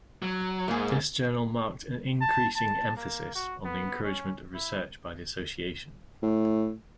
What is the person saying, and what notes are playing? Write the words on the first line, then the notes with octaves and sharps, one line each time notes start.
This journal marked an increasing emphasis on the encouragement of research by the Association.
F#3
G#2 A#3 G#4
A5
A5
A#3
F#4
B3
C#4
E4
A2